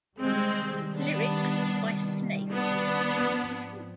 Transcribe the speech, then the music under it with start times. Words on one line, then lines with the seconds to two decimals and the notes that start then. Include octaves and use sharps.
Lyrics by Snake.
0.19 C3 D#3 G3 G#3 C4
0.97 B3 D4
2.51 B3 D4
3.28 G#2 F3 C4